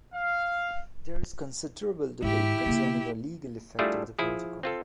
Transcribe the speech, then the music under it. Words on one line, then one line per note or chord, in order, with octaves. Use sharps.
There is considerable debate concerning the legal effect of the protocol.
F5
G#2 D#3 E4 G4
C#3 A#3
G3 A3 D4 E4 F4 G#4
F3 E4 G#4
C4 F4 A4